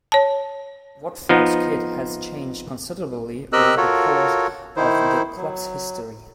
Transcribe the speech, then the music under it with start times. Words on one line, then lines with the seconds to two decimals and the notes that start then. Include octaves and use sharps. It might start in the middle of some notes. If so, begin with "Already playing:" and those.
Watford's kit has changed considerably over the course of the club's history.
0.12 C#5 A5
1.29 F3 B3 D#4
3.53 C4 G4 A#4 D#5 E6 F#6
3.77 F4 F#4 A4 A#4 C#5
4.76 D#3 D#4 E4 C5
5.36 F#3